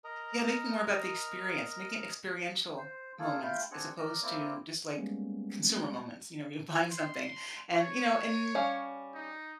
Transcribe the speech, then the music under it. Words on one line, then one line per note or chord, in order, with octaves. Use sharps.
Yeah, making more about the experience. Make it experiential moments as opposed to just, like, consumer moments, you know, when you're buying something. And, you know, and,
A#4 D#5 A#5
C5
A#3 F4 G#4 A4
A3 F4 G5 B5
C4 D4 G#4 F#5
A#4 D5 D#5
A#3 C4 E4 D5
G3 G#3 A#3 B3 C#4
C6
C#5
G3 C#4 F5
D#4